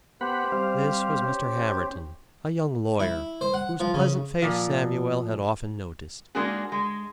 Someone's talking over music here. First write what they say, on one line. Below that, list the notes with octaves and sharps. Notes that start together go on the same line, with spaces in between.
This was Mr. Hamerton, a young lawyer, whose pleasant face Samuel had often noticed.
B3 G4 C5 F#5 B5
G3 C4 F5
C#4
E4
C5
F#5
F3
C#3
A#2 F3
G#3 A#3 D4 D#4 F#4 G#4
G#3